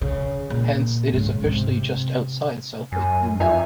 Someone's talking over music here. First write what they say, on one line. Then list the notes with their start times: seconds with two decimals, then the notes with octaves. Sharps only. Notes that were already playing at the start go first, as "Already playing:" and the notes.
Hence, it is officially just outside South Lake Union.
0.01 C#3
0.50 A#2
1.14 G#2 C#3
1.45 C3
2.92 F#2 G#5
3.40 F2 F4 E5 G#5 A#5